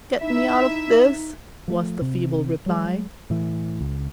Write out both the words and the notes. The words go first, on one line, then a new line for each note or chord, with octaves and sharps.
"Get me out of this," was the feeble reply.
D#4 E4 E5
F3 A3
C3
F#3 G#3
A2 E3
C#2